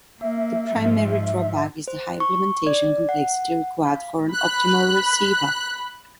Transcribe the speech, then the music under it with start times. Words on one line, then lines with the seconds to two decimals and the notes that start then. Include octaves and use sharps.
The primary drawback is the high implementation complexity required for an optimal receiver.
0.21 A#3 E5
0.73 G#2 F3
1.88 C5
2.20 C#6
2.67 D5
3.09 F#5
3.85 F5
4.32 B5 F#6